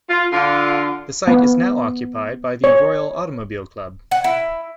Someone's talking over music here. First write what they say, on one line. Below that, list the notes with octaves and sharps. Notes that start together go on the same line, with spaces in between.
The site is now occupied by the Royal Automobile Club.
F4
D3 F4
B3
C#5
F#5
E4